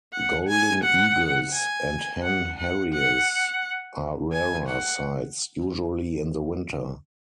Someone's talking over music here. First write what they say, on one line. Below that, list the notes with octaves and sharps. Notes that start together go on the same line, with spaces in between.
Golden eagles and hen harriers are rarer sights, usually in the winter.
F#5
G#5
F#5
G#5
F#5
F#5
F#5
G#5
F#5